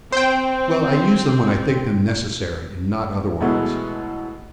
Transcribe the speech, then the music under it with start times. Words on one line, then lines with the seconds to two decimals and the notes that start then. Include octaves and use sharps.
Well, I use them when I think them necessary, and not otherwise.
0.12 C4 C5 G5
3.41 B2 E3 F#3 G#3 A3 B3